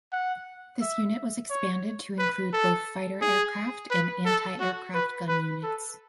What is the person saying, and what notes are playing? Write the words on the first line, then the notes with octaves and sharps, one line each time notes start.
This unit was expanded to include both fighter aircraft and antiaircraft gun units.
F#5
E5
C#5
B4
A4
G#4
B4
A4
F#4
B4
B4
A4